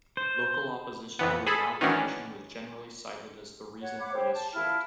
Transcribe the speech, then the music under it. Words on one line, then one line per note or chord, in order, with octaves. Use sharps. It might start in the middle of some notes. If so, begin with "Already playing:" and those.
Local opposition to amalgamation was generally cited as the reason for this shift.
C5
F2 E3 B3
G#4 A4 B5
D#3 E3 F#3 C#4 D4
C#5 F#5
F#5 B5 D6
G4 C5 C#5
A5
E4 F4 A5 F6